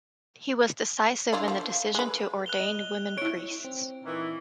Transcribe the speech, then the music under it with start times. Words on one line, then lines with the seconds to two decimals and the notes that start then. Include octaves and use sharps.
He was decisive in the decision to ordain women priests.
1.33 D4 E4 F4
1.48 F3
1.95 G#3 B4
2.46 F#6 F7 G7
2.60 D#5
3.18 E4 C#5 D7
3.65 C4
4.04 A#2 D#3 E3